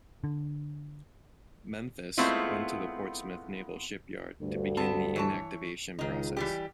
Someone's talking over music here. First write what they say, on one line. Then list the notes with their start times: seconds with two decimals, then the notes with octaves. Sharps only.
"Memphis" went to the Portsmouth Naval Shipyard to begin the inactivation process.
0.24 D3
2.18 G#3 A3 B3 C4 E4 F4
4.42 D2 G2
4.77 B3 C4 A5
5.16 E3 C#5 A5
5.99 C#2 D#3 D#4
6.37 E3 G3 G4